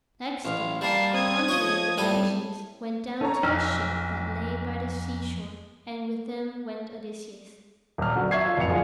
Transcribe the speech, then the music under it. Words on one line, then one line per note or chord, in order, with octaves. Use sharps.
Next day a company of the Phaeacians went down to a ship that lay by the seashore, and with them went Odysseus.
A1 F5
G3 A#3 A5 C7
C4 D#6 G#6
F3 C#5 D#5
A2 G3 A4
D#4 A4 C#5 A#5
B1 F2 E6 F6
D#1 F6
D3 F#3
E5 C#6 G#6 C7
F4
D1 F2 C#7 F7
D3 F4 G#4